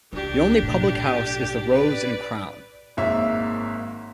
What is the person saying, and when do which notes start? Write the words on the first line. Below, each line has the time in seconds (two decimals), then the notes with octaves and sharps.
The only public house is the Rose and Crown.
0.13 C#2 D4 G4
0.62 B1 A2
1.73 B4 D5
2.97 G#1 G#2 A#3 C#5 E5